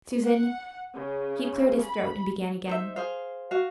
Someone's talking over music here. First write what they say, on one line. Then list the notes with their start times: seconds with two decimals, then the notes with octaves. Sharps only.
"Susan." He cleared his throat and began again.
0.24 F#5
0.94 C#3
1.82 B5
2.67 D#4 C5 E5
2.96 G#4 C5 F5
3.51 F#4 F5